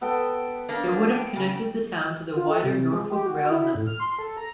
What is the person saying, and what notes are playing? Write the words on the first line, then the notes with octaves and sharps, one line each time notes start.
It would have connected the town to the wider Norfolk rail network.
B3 A4 G5
A#3 D4
G5
C#3
F4
A4
C3
G#3
G4
F#4
E4
A2
F6
C6
A4
A#5